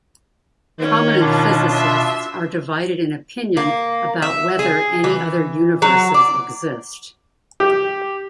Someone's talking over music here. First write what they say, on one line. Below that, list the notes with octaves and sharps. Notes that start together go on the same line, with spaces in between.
Prominent physicists are divided in opinion about whether any other universes exist.
D#3 C#4
B2 D4 F4
E5 C6
A#3
E5
G#4
E3
F#3
D5
G4